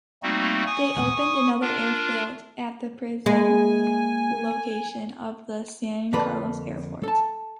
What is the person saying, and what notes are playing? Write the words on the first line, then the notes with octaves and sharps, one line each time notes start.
They opened another airfield at the present location of the San Carlos airport.
G3 A3 A#3 C4 D#4 F#4
G#5 C#6 D#6
D4 F4 A#4
G#3 A#3 G#5
F2 D3 A#3 A4 B4
A4 A5